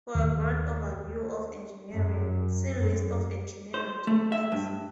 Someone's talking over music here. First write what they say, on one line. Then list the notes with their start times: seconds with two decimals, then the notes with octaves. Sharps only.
For a broad overview of engineering, see List of engineering topics.
0.15 D#2
1.91 F#2
2.75 F#2
3.74 C5
4.07 A3
4.32 E5
4.52 G2